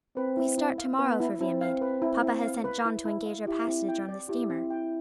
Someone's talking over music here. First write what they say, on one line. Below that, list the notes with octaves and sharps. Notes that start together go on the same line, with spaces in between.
"We start to-morrow for Viamede; papa has sent John to engage our passage on the steamer."
C4 B4
E4
E4
F5
B3 B4
E4
C4 E4
F5
B4
E4
E4
F5
B4
E4
E4
F5
E4 G4
C4
G5
D5
E4 G4
C4
G5